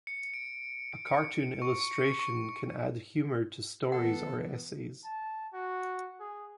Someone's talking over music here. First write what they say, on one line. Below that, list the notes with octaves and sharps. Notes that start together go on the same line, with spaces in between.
A cartoon illustration can add humor to stories or essays.
C#7
D7
C#7
C#7
C#6
C#7
C#6
E3 B3 A4 F#5
A5
F#4
G#4